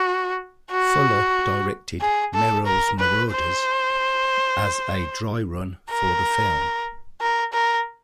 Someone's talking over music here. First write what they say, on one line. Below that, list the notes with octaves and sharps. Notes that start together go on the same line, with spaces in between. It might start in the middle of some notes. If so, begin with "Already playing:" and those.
Fuller directed "Merrill's Marauders" as a dry run for the film.
Already playing: F#4
F#4
G#4
A4
A#4
B4
C5
A#4
A#4
A#4